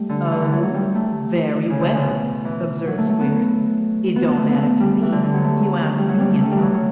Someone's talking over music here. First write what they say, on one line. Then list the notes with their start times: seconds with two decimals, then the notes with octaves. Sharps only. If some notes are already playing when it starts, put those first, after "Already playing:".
'Oh! very well!' observed Squeers, 'it don't matter to me; you asked me, you know.
Already playing: G3 A3
0.09 D3
0.31 D3
0.41 E3
0.52 F#3
0.63 F#3
0.74 G3
0.95 A3
1.70 C#3
1.80 D3
1.91 C#3
2.02 B2
2.45 E3
2.87 F#3
2.98 A3
3.09 A3
3.20 B3
4.16 B3
4.27 B3
4.37 A3
4.48 B3
4.59 A3
4.80 G3
5.02 E3
5.12 D3
5.23 D3
5.34 F#3
5.44 A3
5.98 G3
6.09 F#3
6.20 G3
6.30 A3
6.41 A3
6.51 G3
6.57 E3
6.63 F#3
6.73 F#3